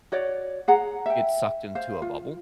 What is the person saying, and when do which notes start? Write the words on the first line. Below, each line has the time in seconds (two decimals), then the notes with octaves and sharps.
get sucked into a bubble.
0.12 F#4 C#5 D5
0.68 G#4 F#5 A#5
1.06 E5 G5
1.75 C5 F5
2.02 F4